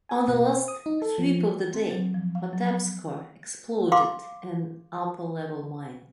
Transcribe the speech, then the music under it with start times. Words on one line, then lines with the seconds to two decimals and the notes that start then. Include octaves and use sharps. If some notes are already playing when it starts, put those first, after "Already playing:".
On the last sweep of the day "Patapsco" exploded an upper level mine.
0.09 G#5
0.28 B2
0.45 C5
0.68 D#6
0.86 D#4
1.02 A4
1.18 F3
1.74 C4
1.91 F#3
2.14 F3
2.35 F5
2.53 F#3
2.68 B3
3.92 F5 C6 D6